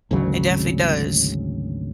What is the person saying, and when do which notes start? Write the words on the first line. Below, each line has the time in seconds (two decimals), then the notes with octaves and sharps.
It definitely does.
0.11 G#1 D2 C#3 F#3